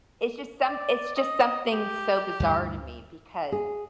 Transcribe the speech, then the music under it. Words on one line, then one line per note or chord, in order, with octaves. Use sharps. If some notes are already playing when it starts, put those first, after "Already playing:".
it's just some it's just something so bizarre to me because
D5
D#5
G4
D2 G2 E3
G#4